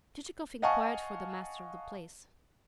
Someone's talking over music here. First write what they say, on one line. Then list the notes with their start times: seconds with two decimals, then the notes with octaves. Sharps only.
Chichikov inquired for the master of the place.
0.62 D#5 F5 F#5 G#5 A5 C#6